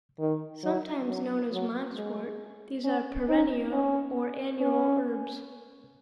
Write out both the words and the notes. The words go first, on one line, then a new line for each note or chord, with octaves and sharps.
Sometimes known as monkswort, these are perennial or annual herbs.
D#3
F#3
F#3
F#3
G#3
C#4
D#4
C#4
C#4